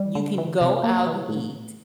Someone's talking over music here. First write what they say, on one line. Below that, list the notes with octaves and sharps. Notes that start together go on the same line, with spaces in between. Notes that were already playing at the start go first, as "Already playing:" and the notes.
you can go out and eat,
Already playing: G3
D3
E3
C3
A#3
E3
A2